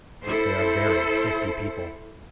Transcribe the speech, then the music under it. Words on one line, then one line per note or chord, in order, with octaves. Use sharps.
They are very thrifty people.
E4 A4 C5